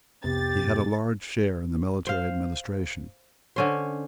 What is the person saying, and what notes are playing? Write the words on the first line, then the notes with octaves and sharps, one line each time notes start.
He had a large share in the military administration.
C2 F2 C3 B3 G4 A6
C5 F5
D3 C#4 C5